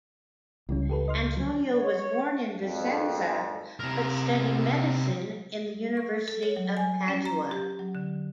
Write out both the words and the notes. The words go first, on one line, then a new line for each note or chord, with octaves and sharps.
Antonio was born in Vicenza but studied medicine in the University of Padua.
C#2 E3 G3 C#4
G4 A4 B4
D#5 C6 F6
G6
D3 F3 F#3
C#5
G#1 F2
C3 A#4
C#6
A4
C#5
F#3
G#5
C#4
A#5
G4
F#3
D3